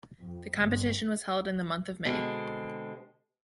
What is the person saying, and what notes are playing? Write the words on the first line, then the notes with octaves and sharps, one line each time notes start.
The competition was held in the month of May.
F2
G1
B2 D3 G#3 C4